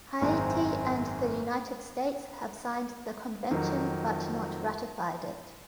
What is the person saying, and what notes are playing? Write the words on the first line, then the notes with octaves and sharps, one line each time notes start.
Haiti and the United States have signed the Convention but not ratified it.
G#1 F#2 D#3 G#3 C4
F2 D#3 F#3